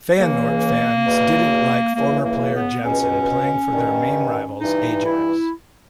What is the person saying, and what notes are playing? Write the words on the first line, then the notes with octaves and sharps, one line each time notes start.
Feyenoord fans didn't like former player Jansen playing for their main rivals Ajax.
C#2 C#3 E3 A#3
E2 B2
C#2 C#3 E3 A#3
A#3
B3
C#2 B2 C#4
G2 D#3
G2 E3 D#4
E4